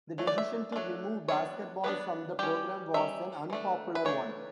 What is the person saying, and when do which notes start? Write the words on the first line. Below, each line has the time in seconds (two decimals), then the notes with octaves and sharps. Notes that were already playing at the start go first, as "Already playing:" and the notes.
The decision to remove basketball from the programme was an unpopular one.
0.18 F#3 A3
0.27 D5
0.38 E5
0.72 F#3 A3 D4
1.28 F#3 B3 D4 C#5
1.84 F#3 B3 D4 B4
2.39 G3 C#4 G4
2.94 G3 C#4 E5
3.50 E3 A3 D4
3.95 B4
4.05 E3 A3 D4 C#5